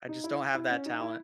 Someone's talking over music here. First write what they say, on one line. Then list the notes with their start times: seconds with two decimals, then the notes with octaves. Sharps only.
I just don't have that talent.
0.09 D#4
0.24 E4
0.55 E4
0.71 C#4
0.86 D#4
1.00 E4